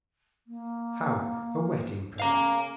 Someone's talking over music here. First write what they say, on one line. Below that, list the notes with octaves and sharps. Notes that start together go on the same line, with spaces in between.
"How a wedding present?"
A#3
C#3 F5 A#5